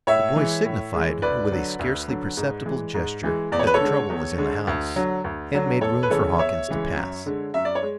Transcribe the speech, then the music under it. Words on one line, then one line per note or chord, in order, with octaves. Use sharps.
The boy signified with a scarcely perceptible gesture that the trouble was in the house, and made room for Hawkins to pass.
A2 C#5 E5
E3 G#3
A2
E3 G#3
D2 B4 D5
D3 F#3
D2
D3 F#3
G#2
E3 G#3
G#2
E3 G#3
E2 D5
C#5
B4
A4 C#5
D3 G#3
E2
D3 G#3
D2
D3 F#3
D2
D3 F#3
E2 A4 C#5
B4
C#3 E3 G#3 A4 C#5
E2 C#5 E5
C#3 E3 G#3
F#2
D3 G#3
F#2 E5
D5
C#5
G#3